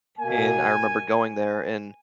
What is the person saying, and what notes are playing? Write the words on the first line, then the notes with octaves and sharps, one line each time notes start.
and I remember going there, and,
B2 A#3 G#5